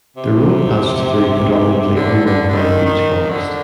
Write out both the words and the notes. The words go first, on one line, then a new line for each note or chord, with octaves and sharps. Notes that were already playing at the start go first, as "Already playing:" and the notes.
The road passes through predominantly unmodified beech forest.
C3
D3
D3
D3
D#3
D#3
D3